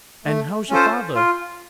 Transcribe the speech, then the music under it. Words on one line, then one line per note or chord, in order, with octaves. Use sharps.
"And how's your father?"
A3
C#4 F4 A4 C5
F4